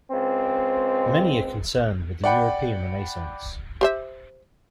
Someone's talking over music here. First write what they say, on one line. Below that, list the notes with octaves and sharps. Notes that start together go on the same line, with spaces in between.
Many are concerned with the European Renaissance.
C#2 C4
D5 F#5 G5 B5
G4 C5 E5